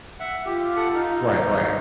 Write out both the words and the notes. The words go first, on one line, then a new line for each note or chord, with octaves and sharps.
Right, right.
E5 F#5
F4 G4
A4 F#5
D#4